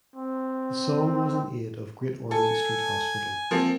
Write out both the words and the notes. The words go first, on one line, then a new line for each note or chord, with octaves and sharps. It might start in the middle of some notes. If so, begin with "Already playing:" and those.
The song was in aid of Great Ormond Street Hospital.
C4
A4 G#5
F3 A#3 C4